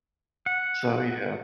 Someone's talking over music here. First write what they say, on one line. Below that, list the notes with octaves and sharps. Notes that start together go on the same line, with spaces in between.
so, yeah.
F#5